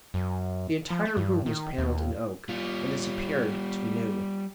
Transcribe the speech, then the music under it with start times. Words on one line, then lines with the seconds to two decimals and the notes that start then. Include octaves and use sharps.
The entire room was paneled in oak, and this appeared to be new.
0.14 F#2
0.90 F3
1.05 A3
1.17 G2
1.46 D#3
1.78 D#2
2.49 G3 F4